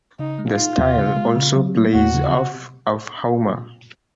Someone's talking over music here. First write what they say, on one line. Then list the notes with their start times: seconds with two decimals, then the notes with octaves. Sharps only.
The style also plays off of Homer.
0.19 C#3 D#4
0.39 G#3
0.48 F4
0.58 D#4
0.78 D#2
0.97 C#3
1.16 G#3
1.36 C#3
1.56 F#3
1.75 A#3
1.94 D#2 F#4
2.14 C#3